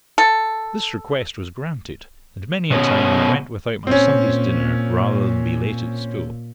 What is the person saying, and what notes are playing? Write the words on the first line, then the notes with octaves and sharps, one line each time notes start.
This request was granted, and many a time I went without my Sunday's dinner rather than be late at school.
A4
B2 C#4
A#2 C4 C#4